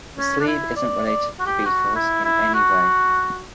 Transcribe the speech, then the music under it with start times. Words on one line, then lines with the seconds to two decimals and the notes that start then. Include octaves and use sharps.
"The sleeve isn't related to the Beatles in any way".
0.17 C#4
0.40 D4
0.47 E4
0.76 D5
1.06 D5
1.39 F#4
1.46 G4
1.65 F#4
1.95 E4
2.24 E4
2.54 F#4